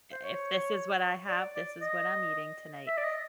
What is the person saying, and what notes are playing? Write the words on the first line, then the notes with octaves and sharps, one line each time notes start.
i if this is what I have, this is what I'm eating tonight.
C5
C#5
D5
D5
D#5
E5
D5
D#5